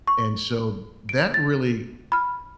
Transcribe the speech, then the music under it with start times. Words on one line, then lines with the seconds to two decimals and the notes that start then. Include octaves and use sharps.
and so, that really
0.07 C#6
1.09 D7
1.34 A6
2.12 B5 F6